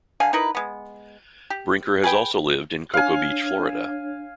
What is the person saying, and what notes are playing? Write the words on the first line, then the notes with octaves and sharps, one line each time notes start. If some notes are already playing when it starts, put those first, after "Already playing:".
Brinker has also lived in Cocoa Beach, Florida.
D3 F5 G#5
D#4 E4 A#4 B4
G#3 B3
G4
G#4 B4 G5
D4 C#5 F5 G#5